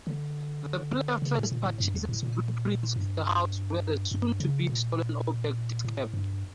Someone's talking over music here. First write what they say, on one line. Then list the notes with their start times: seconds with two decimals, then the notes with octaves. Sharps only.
The player first purchases blueprints of the house where the soon-to-be-stolen object is kept.
0.07 D3
1.22 C#3
1.37 A2
1.52 A#2
1.65 A2
1.80 G2
1.95 E2
2.09 A2
2.23 A#2
2.96 G2
4.11 G2
4.40 C#3
4.69 A#2
5.85 A2
6.14 G2